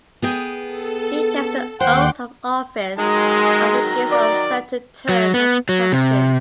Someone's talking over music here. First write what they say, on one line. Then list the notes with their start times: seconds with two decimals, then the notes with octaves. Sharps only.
He takes the oath of office and begins an uncertain term as President.
0.22 B3 G#4 G5
0.65 A4
1.80 D#2 C5 F#5 G5 C6 D6 C7
2.99 D#3 F#3 G#3 A#5
4.11 D5
5.09 F#3
5.34 B3
5.69 F#3
5.92 C3